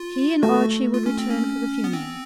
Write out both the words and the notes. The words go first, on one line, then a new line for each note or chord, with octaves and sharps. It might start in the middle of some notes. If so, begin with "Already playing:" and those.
He and Archie would return for the funeral.
Already playing: F4
A3 F#4
F4
C#4
C4
C#4
B3
C4